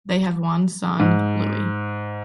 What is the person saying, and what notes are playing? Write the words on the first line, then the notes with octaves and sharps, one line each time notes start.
They have one son, Louis.
G#2